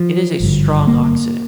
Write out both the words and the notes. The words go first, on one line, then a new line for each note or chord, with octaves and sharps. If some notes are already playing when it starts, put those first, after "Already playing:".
It is a strong oxidant.
Already playing: F3
G#1 G2 D3
A#3